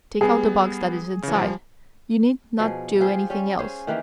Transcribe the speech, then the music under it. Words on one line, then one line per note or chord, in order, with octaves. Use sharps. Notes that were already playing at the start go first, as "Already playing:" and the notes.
Take out the box that is inside. You need not do anything else.
G3 B3 G#4
C#3 E3
F3 G3
B2 F3 G#4
F4 G4 G#4 C5
G3 C#4
C#4 G#4 C5
D#3 E3 A#3 G4